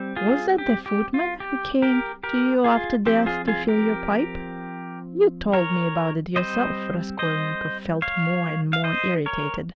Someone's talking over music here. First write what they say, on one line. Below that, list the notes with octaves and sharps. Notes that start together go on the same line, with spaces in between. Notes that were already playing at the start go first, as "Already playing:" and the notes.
"Was that the footman who came to you after death to fill your pipe?... you told me about it yourself." Raskolnikov felt more and more irritated.
Already playing: G3 C4
F4 G#4
G4
G4
F4
G4
G4 A#4
G4 A#4
F4 G#4
F3 C4 G4
F4 G#4
F4 G#4
G4 A#4
A#4 C#5
G3 C4 C5 D#5
C5 D#5
C#5 F5
F5
C5 D#5
A#4 C#5